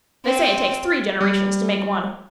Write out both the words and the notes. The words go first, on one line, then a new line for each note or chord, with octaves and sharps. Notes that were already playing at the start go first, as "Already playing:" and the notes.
They say it takes three generations to make one.
C4
G3